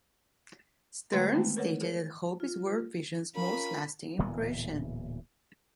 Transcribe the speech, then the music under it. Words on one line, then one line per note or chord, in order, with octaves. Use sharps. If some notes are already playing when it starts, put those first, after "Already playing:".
Stearns stated that "hope" is World Vision's most lasting impression.
D3 G#3 A3 F#4 B4 C6
D#3 G#3 A3 B3 C4
A#4 B4 C#5 F#5
G#4 A#4 C#5
F4
C#4 F4 A#4 B5
D1 A#2 E3 B3